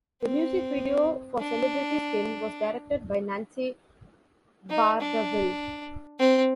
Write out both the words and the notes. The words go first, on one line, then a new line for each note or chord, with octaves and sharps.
The music video for "Celebrity Skin" was directed by Nancy Bardawil.
C4
D4
D#4
D4
C4